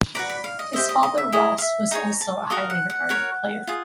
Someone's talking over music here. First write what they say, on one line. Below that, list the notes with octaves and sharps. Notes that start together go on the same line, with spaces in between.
His father Ross was also a highly regarded player.
F#4 B4 D5 A#5
B5
F5
D#5
G4 C5 D#5 E5
D#5
D#5
E5
E4 G#4 C#5 D#5
F5
E5
D#4 G#4 C#5 A#5
A5
F#4 A#4 D#5 F5
F#5
F#5
F#4 A#4 C#5
F4 G#4